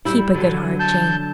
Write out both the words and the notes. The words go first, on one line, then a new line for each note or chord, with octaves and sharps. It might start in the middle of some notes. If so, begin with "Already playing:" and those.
'Keep a good heart, Jane.
G3 E4
D3 F#3
A5 G6